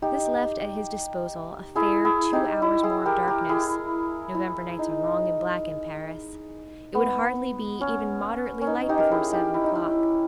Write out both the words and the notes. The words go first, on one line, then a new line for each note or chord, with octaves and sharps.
This left at his disposal a fair two hours more of darkness: November nights are long and black in Paris; it would hardly be even moderately light before seven o'clock.
D#4 G4
E4 G#4
E4 G#4
D#4 G4
E4
E4 G#4
G4 A#4
G4 A#4
E4 G#4
E4
D#4
B3
C#4
C#4
D#4
D#4 G4
A#4
E4 G#4
D#4 G4
E4
D#4
E4